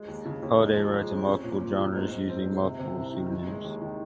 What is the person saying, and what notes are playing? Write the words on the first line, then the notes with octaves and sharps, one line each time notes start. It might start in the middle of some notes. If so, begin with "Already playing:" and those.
Holliday writes in multiple genres using multiple pseudonyms.
Already playing: G#3
D#2
C#3
D#2
G#3
F3
G#3
C4
C#4
A#2
A#2
A#2
G#2
G#2
C4
G#2
C3
C3
C2
D#3
D#3
G#3
D#2
D#3